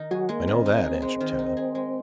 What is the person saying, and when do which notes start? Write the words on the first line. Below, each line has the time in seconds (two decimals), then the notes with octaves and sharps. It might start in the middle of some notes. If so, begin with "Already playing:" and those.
"I know that," answered Tad.
Already playing: D#3 D#4
0.11 F#3 F#4 G#4
0.29 G#3 A#3
0.47 D#3 C4
0.66 D#4
0.84 G#4
1.02 G#3
1.20 D#3
1.39 D#4
1.57 G#4
1.75 G#3